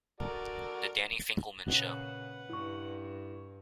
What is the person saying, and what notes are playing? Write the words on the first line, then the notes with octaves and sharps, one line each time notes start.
The Danny Finkleman Show.
F#4 A4 A#4 D5
A#2 C#3 B4 F#5
G2 E4 C#6